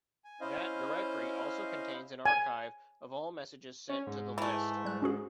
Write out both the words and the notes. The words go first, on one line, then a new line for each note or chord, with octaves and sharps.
That directory also contains an archive of all messages sent to the list.
G#5
C#4 E4 C5 D#5 F5
G#5
C#4 C#5
G#2
E3 A3
G3 F#6
C#4 F#4 G#4